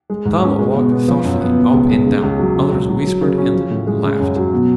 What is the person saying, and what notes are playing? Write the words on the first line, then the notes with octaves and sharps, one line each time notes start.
Some walked thoughtfully up and down, others whispered and laughed.
G#3
G#2
C#4
G#3
B2
B3
F3
F#2
B3
B2
C#2
G#3
C#3
C#2
F#3
C#3
C#2
F#3
F#3
C#3
C#4
F3
A2
G#3
C#3
F#2
F#3
B2